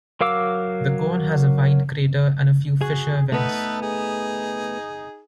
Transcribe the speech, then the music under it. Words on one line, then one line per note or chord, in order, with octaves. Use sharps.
The cone has a wide crater and a few fissure vents.
F#3 A#4 F5 D6 E6
F#4 G#4
A3 B3 D#4 A4 B4
D#4 G#4